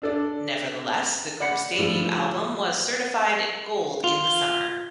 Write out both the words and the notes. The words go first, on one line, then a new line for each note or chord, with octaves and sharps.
Nevertheless, the group's debut album was certified Gold in the summer.
D4 A4 D5
D5 F#5 B5 C#7
A2 F3 G3
F4